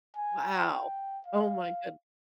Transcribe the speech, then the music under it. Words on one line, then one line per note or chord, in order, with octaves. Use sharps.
Wow. Oh my good
G#5
G5
F5